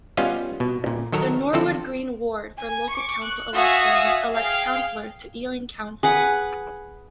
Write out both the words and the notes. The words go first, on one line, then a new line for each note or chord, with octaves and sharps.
The Norwood Green ward for local council elections elects councillors to Ealing Council.
G3 B3 C#4 F4 D#5 F5
B2
A#2
D#3 F#3 A4 C#5 A#5
D3 F3 C4 F4 A4
G#5
C#6 D6
F#6
F#4 E5 F5 G#5 D#6
G#4 F5 G5
G#4 B4 F#5